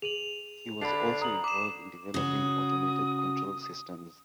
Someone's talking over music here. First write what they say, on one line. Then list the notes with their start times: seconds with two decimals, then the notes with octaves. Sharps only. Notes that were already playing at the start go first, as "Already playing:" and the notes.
He was also involved in developing automated control systems.
0.02 G#4 D#7 F7 F#7
0.81 D3 D4 B5 C7
1.22 A#5 D#6 F#7
1.44 D6 E7
2.14 C#3 F#4 D#6